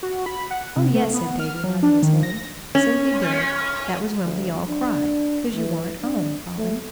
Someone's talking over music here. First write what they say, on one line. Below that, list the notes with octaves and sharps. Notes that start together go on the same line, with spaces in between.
"Oh, yes," said Davie, nodding his head, "so he did; that was when we all cried 'cause you weren't home, Polly."
F#4
B5
F#5
C3
A3
B3
F6
F#3
D4
D#3
A#6
C#4
D2
D4
E3
D4
A3